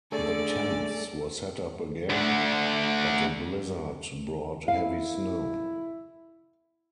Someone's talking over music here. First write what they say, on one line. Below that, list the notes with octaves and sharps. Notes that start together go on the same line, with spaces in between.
The tents were set up again, but a blizzard brought heavy snow.
D3 A3 G#4 A4 D5
D2 D3
E4 F5